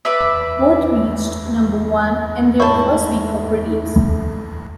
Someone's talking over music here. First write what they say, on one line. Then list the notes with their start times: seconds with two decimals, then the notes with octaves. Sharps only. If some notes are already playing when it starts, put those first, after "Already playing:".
Both reached number one in their first week of release.
0.05 B4 D5 E5
2.60 G#2 A3 E4 A#4 C#5 A5 C#6